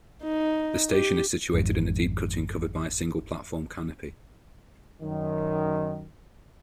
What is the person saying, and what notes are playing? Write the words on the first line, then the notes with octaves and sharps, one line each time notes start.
The station is situated in a deep cutting covered by a single platform canopy.
D#4
G4
G#1 F2 G#2
F#2 D#3